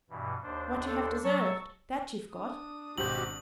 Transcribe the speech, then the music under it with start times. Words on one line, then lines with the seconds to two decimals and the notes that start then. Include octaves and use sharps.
What you have deserved, that you've got.
0.10 G2 B2 E3
0.43 D#2 D4 C5
0.86 A4
1.24 F#3 A5 C#6 E6
2.34 D4 D#6
2.98 G#1 B2 F#4 G4 C5 G6 F#7